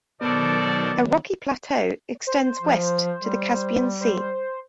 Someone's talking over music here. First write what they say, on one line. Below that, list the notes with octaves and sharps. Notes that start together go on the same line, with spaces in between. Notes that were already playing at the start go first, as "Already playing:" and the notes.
A rocky plateau extends west to the Caspian Sea.
B2 D#3 F#3 B3 A4 A#4 C5 D5
C5
F3
G3
C5